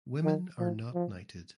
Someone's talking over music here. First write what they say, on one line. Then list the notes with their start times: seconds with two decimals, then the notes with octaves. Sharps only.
Women are not knighted.
0.24 D#3
0.59 F3
0.94 F3